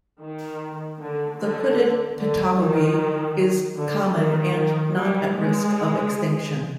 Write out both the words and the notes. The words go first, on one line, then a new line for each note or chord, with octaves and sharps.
The hooded pitohui is common and not at risk of extinction.
D#3
D3
D3
D3
D#3
D3
D#3
D#3
G3
G#3